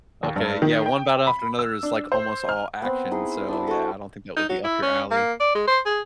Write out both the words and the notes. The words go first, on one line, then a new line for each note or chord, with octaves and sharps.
Okay, yeah, One Battle After Another is, like, almost all action, so, yeah, I don't think that would be up your alley.
D#2
G2
D#3
G5
B5
E6
D4
C5
F6
B3 C4
D#4 E4 G#4
D4 E4
F#4 A4
D#4
F#3
E4
C#4
A#3
D5
G#3
C5
G#4